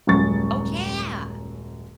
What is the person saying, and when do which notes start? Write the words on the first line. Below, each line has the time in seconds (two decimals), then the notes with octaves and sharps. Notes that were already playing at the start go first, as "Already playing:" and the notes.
Oh, yeah.
0.07 D#1 F#2 G#3 C#6 A6